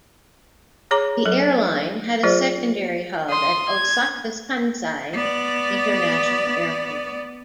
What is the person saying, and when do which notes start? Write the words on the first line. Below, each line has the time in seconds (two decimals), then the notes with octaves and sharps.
The airline had a secondary hub at Osaka's Kansai International Airport.
0.91 G#4 C#5 A#5 D6
1.26 F#3 A4
2.23 F#3 F4 G#4 C5 D5
3.29 C6 D#6
3.69 G#6
5.14 B3 D5